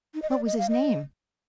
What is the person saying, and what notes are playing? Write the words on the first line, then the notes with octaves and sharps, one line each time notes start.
"What was his name?"
D#4
D#5
D5
D#5
F5
D#5